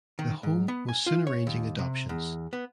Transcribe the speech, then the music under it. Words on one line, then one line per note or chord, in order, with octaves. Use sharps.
The home was soon arranging adoptions.
D#3
G#2
B3
G#5
F4
C#5
D#2
C3
E2
B3